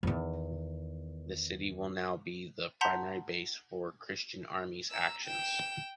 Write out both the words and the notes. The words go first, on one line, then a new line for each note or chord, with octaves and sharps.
The city will now be the primary base for christian armies' actions.
E2 D#3
F#5 A5 A#5 C6 G6 B6
A#5 E6
G5 E7